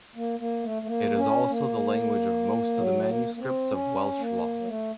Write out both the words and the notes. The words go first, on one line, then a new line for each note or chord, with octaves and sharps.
It is also the language of most of the manuscripts of Welsh law.
A#3
A#3
A3
A3
A#3
C#4
A#3
F#3
A#3
A#3
C4
C#4
A#3
F#3
A3